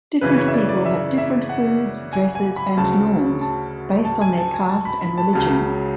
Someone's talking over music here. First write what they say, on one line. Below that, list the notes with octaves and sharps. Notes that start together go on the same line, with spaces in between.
Different people have different foods, dresses and norms based on their caste and religion.
F#2 C#3 E3 B4
C#5
E5
D5
D5
E5
E5
F#5
G#5
G#5
B5
D2 C#3 F#3 A5
A5
A5
G#5
A5
G#5
A5
B5
B5
A5
C#2 C#3 F#3 A5